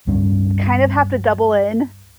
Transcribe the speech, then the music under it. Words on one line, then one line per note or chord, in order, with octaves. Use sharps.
kind of have to double in
C#2 G2 C#4